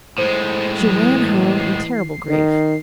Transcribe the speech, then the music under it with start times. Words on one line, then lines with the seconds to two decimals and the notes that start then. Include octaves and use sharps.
She ran home in terrible grief.
0.18 A2 G#3 C5
0.80 E3 F#3
1.14 A#3
1.57 C7
2.28 D#3